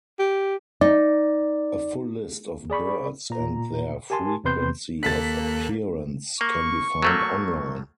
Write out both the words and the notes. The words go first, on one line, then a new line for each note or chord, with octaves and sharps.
A full list of birds and their frequency of appearance can be found online.
G4
D#4 D5
G#4 D5 B5 C#6
A#2 A#5
G4 A#4 G#5 A5 C6
E2 C3 C4 B4 C6 G6
D#2 A#3 A4 F#6 A6 B6
A#3 C#6
F#3 A3 A#3